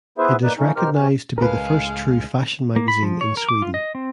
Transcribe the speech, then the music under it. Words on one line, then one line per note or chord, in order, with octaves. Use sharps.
It is recognized to be the first true fashion magazine in Sweden.
B3 E4 G#4 B4 C5 E5
A#3 D#4 B4 D5
F2 C#3 E3 A3 C#4 D#4
B2 D#4 G4 A#4 C5 F6
C3 C#4
C#2 A2 G#3 A#4 B4 F5
A#3
B5
F3
C#5
A#4
D6
F4
D#5
C4